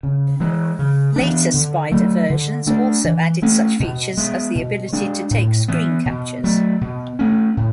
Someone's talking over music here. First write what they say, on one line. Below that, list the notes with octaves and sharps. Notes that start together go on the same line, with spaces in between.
Later Spider versions also added such features as the ability to take screen captures.
C#3
E3 G#3
C#3
E3 B3 D4
D3
F#3 A3
D3
A3 D4
E3
A3 C#4
B2
G#3 B3
B2
G#3 D4
A2
E3 B3
B2
F#3 A3
B2
A3 C#4
A2